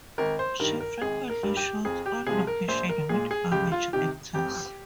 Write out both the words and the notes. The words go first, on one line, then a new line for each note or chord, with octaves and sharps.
She frequently shoots on location with amateur actors.
G#1 A#4
C5
G2 D#3 A#4
A#4
G#1 G#4
A#4
G2 G3
G4
F2 G#4
G4
C3 F3 G#3 G#4
A#4
A#1 C5
A#4
A#2 G#3 G#4
G#4
C#2 G4
F4
C3 D#3 G4
F2 G4